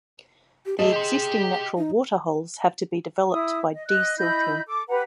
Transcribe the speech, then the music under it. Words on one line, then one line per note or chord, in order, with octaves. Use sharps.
The existing natural water holes have to be developed by desilting.
G4
F3 A3 G#4 D#5
G4 C6
D#4
E4 D#6
D#5
D#5 F#6
E4 D#5 B5 G6
A4 D6
G4 B4 F#5 A#5